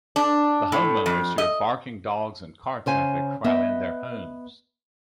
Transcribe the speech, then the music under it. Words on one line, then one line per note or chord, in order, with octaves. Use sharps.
The homeowners hear barking dogs and car traffic while in their homes.
D4
A2
F2
D#5
C#3 C5 G#5
B3 D#5 E5